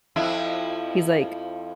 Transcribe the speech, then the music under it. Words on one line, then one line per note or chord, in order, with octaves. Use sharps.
He's, like,
F2 F3 E4